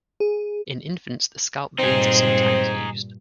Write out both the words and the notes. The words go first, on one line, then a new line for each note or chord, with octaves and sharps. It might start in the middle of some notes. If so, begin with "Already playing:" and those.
In infants the scalp veins are sometimes used.
G#4
G2 A#2 C4 D#4 G#4